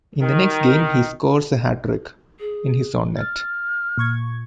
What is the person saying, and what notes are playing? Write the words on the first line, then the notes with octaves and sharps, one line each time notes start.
In the next game he scores a hat-trick... in his own net.
D#3
G#4
F6 A6
A#2 C#6 G#6